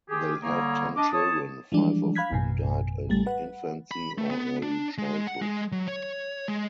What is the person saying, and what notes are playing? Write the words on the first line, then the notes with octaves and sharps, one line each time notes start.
They had ten children, five of whom died in infancy or early childhood.
D#3 G4 G#4
D3 G3 A#3 G#4 C#5 A#5
D4 D#5 D6
C#5 A5 D#6
E3 F3 G3 G#3 D4
F5 B5 F#6 G#6 B6
A1 F#2 B2 G#5
A1 G3 A3 A6
B4 F#5
B5
A3
B3
D4
G#3
F#5
G#3
F#3
C#5
G#3